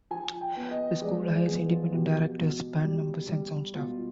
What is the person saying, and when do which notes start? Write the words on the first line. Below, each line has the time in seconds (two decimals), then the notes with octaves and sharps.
The school hires independent directors, band members and sound staff.
0.11 F3 G#5
0.41 G5
0.56 B3
0.71 D#5
1.02 G#3 D5
1.24 C5
1.47 B3 G#4
1.71 F4
1.92 B2 G4
2.39 B2
2.83 G3 G4
3.29 G3
3.75 B2 F4